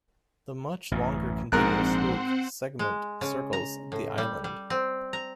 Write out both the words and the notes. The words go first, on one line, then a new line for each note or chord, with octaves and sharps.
The much longer continuous loop segment circles the island.
A1 F#2
A#1 G#2 C4 A#4 C5 F#5 F#6
G#3
C#3
A#5
A2
G3
G3
C4
A#5